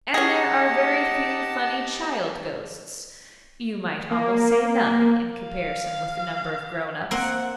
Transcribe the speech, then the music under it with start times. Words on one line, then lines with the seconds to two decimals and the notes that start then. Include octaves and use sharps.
And there are very few funny child-ghosts--you might almost say none, in comparison with the number of grown-ups.
0.14 C#4 D#4 G4 G#4 F#5 A5
4.11 A#3
5.39 F5
7.11 A#3 C4 F#5